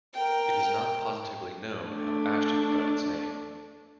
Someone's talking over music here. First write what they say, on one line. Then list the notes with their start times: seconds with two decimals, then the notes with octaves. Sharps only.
It is not positively known how Ashton got its name.
0.14 A#4 G5
1.84 A3 D4